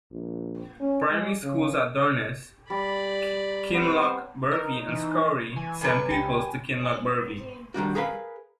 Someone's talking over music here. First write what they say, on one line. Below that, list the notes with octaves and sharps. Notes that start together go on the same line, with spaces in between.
Primary schools at Durness, Kinlochbervie and Scourie send pupils to Kinlochbervie.
A#1
C#4
G#3
C#3
G3 D5 B5
B3 C4 C5
D#4 A#4
E3
E3 G#5
G2 F#3 B4
C#2 G4
D#3 G3 D4 F#4
G#4 A#4 B4 F5 G#5 B5